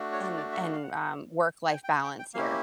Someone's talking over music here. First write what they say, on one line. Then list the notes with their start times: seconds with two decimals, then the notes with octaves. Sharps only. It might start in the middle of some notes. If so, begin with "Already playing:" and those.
and and, um, work life balance here?"
Already playing: A3 D4 F#4
0.12 C#5
0.22 D5
0.37 D5
0.52 E5
0.73 F5
0.83 F#5
1.70 G#5
1.74 G5
1.84 G5
1.89 G#5
2.04 G5
2.19 G5
2.34 A#3 C#4 E4 G4 F5